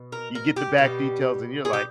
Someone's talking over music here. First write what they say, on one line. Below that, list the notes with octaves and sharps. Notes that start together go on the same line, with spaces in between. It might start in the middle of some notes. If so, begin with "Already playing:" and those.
you get the back details and you're like,
Already playing: B2
A#4
A#4
G4
B2 G3 G4
G#4
G4